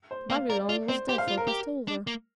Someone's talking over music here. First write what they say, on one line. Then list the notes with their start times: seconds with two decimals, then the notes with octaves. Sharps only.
Barillon was therefore passed over.
0.11 C5
0.30 A#3 F5
0.50 A#4 D5
0.69 F4 D5
0.88 C4 C5
1.08 G4 C5
1.18 F5
1.28 F4
1.38 A#4
1.48 G4
1.88 D4
2.07 A#3